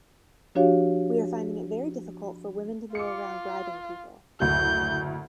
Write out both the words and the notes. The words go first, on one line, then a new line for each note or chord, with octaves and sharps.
We are finding it very difficult for women to go around bribing people.
F3 D4 F#4 G4 C#5 F5
F4 D6 C#7
F#1 D2 A2 G6